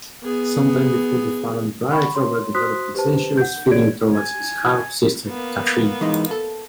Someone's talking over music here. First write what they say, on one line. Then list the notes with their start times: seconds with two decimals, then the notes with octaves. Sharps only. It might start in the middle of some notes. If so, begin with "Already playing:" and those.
Sometime before the Fallon Pride, Robert develops incestuous feelings towards his half-sister Catherine.
0.23 B3 G#4
1.91 F#5 B5 C#6
2.15 C#5 C6
2.55 F#4 C5 C6 D#6 F#6 B6
2.95 G4 B4 C5 A5
3.37 F#5 G6
3.71 F#4 G#4 C#5 D5 G#6 D7
4.14 G#5
5.30 A#3 B3
6.01 E3 G#3 D#4
6.31 A4